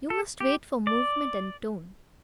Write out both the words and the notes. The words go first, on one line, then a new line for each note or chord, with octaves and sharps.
You must wait for movement and tone.
A4
G4
D5